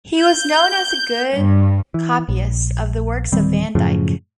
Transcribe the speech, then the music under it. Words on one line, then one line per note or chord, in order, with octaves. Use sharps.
He was known as a good copyist of the works of Van Dyck.
G6
G2
E3
A#1
D1 D#3 G3 C4
F#2 A2 C#3 F3